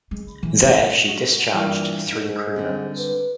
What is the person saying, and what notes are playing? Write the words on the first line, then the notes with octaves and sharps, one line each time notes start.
There she discharged three crew members.
G#3
E3
D#3
G#3 F#4
G2 A#2 E3 F5
G#2 D#4
D3 G3 C4
B4